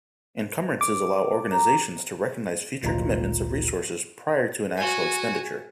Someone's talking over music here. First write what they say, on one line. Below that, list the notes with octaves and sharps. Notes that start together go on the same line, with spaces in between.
Encumbrances allow organizations to recognize future commitments of resources prior to an actual expenditure.
D6
A#5
G#1 D2 A#2 F4 A#5
F#4 G#5